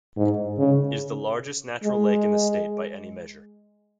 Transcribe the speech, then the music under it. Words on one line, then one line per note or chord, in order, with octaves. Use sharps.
It is the largest natural lake in the state by any measure.
G#2
C#3
G#3